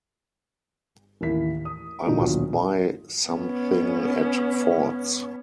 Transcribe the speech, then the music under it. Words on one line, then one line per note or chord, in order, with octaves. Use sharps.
I must buy something at Ford's.
A1 D#2 A#3 E4 B6
D#6
A#2 D3 E3 D4 D#4 F#4
D#1 B1 D4 F4 F#4
B3 C#4